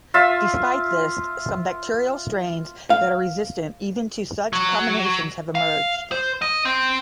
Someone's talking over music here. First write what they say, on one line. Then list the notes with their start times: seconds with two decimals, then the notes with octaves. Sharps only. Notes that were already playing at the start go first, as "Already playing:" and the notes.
Despite this, some bacterial strains that are resistant even to such combinations have emerged.
0.14 F4 E5
2.90 F5
4.53 F#3
5.55 F5
6.12 C5
6.42 D#5
6.65 C4